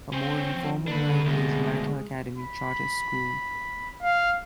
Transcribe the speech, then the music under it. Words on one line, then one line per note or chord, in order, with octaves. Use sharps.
A more informal rival is Mater Academy Charter School.
C4 C#4
F3
D3 A#3 D4 B4
D2 B2 G#3
B5
F5